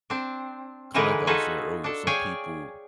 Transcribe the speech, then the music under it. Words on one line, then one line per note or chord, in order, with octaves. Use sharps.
kinda like I was saying earlier, some people
C4 D4
D3 E3 G#3 D#4 A#4 B4
D#4 F4 F#4 G#4 A4 B4
D4 A4
G#4 C#5 D5 F5 G5 G#5